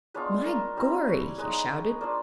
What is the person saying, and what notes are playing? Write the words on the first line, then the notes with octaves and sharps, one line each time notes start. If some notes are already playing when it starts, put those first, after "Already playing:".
"My gorry!" he shouted.
G#3 B3 D4 F4 B4 C#5
A#4 C5
G3 C4 E4
B4 C#5
G#3 B3 D#4 B4 C#5
A#3 D4 F4 C5 D5